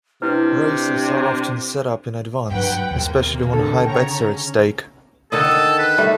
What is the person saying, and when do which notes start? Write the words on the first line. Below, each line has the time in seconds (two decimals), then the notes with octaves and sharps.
Races are often set up in advance, especially when high bets are at stake.
0.22 C3 C#4 D4 E4 B4
2.51 G2 F#3 B4 F#5 G5
2.91 D#2 C3 A#3
3.53 D3 A4
3.86 C#3 C#5 G5 A#5
4.17 C#4
5.32 D3 D#3 A4 D#5
5.79 B4
5.98 G3 A3